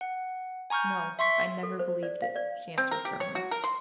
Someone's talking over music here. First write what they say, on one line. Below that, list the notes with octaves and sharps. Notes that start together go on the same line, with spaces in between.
"No, I never believed it," she answered firmly.
F#5
G#5 A#5 C#6 F6 G6
E5 C6 C#6 B6
A4
C5
D5
F5
D5
C4
A#4
G4
C#5
F#4
A#4
C6